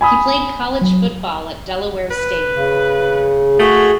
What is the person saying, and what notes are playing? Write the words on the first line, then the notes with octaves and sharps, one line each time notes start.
He played college football at Delaware State.
G#5 B5 D#6
F#3
B4
C#3
A3 F#4 G#4